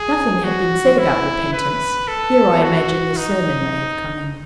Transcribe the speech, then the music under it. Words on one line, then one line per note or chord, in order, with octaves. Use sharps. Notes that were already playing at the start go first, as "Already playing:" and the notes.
Nothing had been said about repentance: here, I imagine, the sermon may have come in.
Already playing: G#4
F#4
E4
B4
A4
F#4
D#4